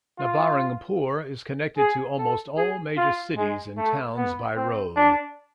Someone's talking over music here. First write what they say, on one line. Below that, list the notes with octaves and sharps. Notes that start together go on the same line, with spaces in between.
Nabarangpur is connected to almost all major cities and towns by road.
F4
G#4
A4
G#4
F4
G#3
A3
B3
C4
D4